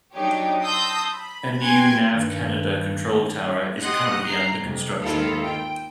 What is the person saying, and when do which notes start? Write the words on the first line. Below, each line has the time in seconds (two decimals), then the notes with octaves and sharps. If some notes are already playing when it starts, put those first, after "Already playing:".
A new Nav Canada control tower is currently under construction.
0.14 F#3 D4 D#4 G4 C#5
0.63 A5 C6 D#6 E6 G6 A#6
1.14 B5
1.61 B4 G5 G#5 C6 F#6 G#6
2.12 G2 D#3
3.80 G4 D#5 F#5 C6 D#6 F#6
4.24 A#5 C7
4.60 F2 G#2 C3
5.01 D#2 G#2 D#3 E4 F4 A4
5.45 G5